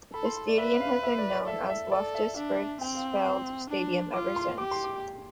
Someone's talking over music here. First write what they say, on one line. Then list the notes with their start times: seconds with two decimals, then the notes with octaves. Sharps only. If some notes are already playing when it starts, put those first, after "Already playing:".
The stadium has been known as Loftus Versfeld Stadium ever since.
0.13 A4 B5
0.25 C6
0.37 C6
0.48 D5
0.58 B4 E5
0.80 F5
1.04 E5
1.18 D5
1.32 D5
1.47 A4 E5
1.70 E5
1.92 A4 D5
2.15 E5
2.36 D4 E5
2.81 C4 G5
2.95 F5
3.25 C6
3.70 D4
4.14 F4 D6
4.36 C6
4.58 G4 D6
4.71 C6
4.84 D6